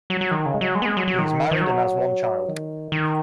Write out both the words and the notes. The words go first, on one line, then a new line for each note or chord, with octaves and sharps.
He is married and has one child.
F#3
F#3
D#3
C#3
G#3
F#3
G#3
B3
G#3
F#3
F#3
D#3
D#3
F#3
D#3
D#3